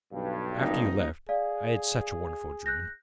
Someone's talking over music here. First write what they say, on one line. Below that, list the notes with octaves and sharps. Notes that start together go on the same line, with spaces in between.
After you left, I had such a wonderful dream.
B1 G2
D#1 A#3 D#4
G#4 D5 F5
F#6 G6 A#6